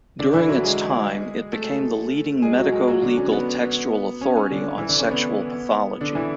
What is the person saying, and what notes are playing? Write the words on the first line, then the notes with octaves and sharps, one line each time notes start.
During its time, it became the leading medico-legal textual authority on sexual pathology.
D3 D4
E3 E4
F#3 F#4
G#3 G#4
A3 A4
G#3 G#4
F#3 F#4
G#3 G#4
F#3 F#4
D3 D4
C#4
B3
C#4
C#4
D3 D4
E3 E4
D3 D4
C#4
B3
D3 D4
E3 E4